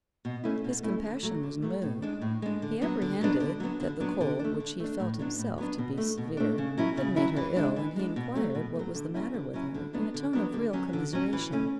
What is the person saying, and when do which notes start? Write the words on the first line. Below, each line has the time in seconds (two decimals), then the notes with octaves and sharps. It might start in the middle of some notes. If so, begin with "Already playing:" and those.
His compassion was moved; he apprehended that the cold, which he felt himself to be severe, had made her ill, and he inquired what was the matter with her, in a tone of real commiseration.
0.25 B2
0.44 A3 C#4 E4
0.64 B2
0.83 A3 C#4 E4
1.03 D3
1.23 F#3 A3
1.43 D3
1.62 F#3 A3
1.82 A2
2.02 G#3 D4
2.21 A2
2.42 G#3 D4
2.62 D3
2.81 F#3 B3 D4
3.02 D3
3.21 F#3 B3 D4
3.40 D3
3.60 F#3 B3 D4
3.80 D3
4.00 F#3 B3 D4
4.21 D3
4.39 A3 D4
4.60 D3
4.80 A3 D4
5.00 A2
5.19 F#3 B3 D4
5.38 A2
5.58 F#3 B3 D4
5.78 B2
5.97 A3 D4
6.18 B2
6.37 A3 D4
6.58 C#3
6.78 F#3 C#4 E4
6.97 C#3
7.16 F#3 C#4 E4
7.36 E3
7.56 G#3 D4
7.76 E3
7.96 G#3 D4
8.16 B2
8.35 F#3 A3
8.55 B2
8.75 F#3 A3
8.95 D3
9.14 F#3 C#4 E4
9.34 D3
9.54 F#3 C#4 E4
9.74 D3
9.93 F#3 B3 D4
10.14 D3
10.33 F#3 B3 D4
10.53 D3
10.73 F#3 C#4
10.93 D3
11.13 F#3 C#4
11.33 E3
11.52 A3 C#4